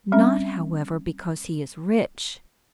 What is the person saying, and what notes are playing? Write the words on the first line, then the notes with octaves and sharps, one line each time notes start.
"Not, however, because he is rich."
G3 C4 C#4 E5